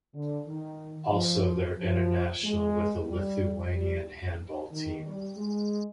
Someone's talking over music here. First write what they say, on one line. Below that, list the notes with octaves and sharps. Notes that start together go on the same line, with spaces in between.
Also, they’re international with the Lithuanian Handball Team.
D3
D#3
F3
F3
G#3
G3
G3
D#3
G3
G#3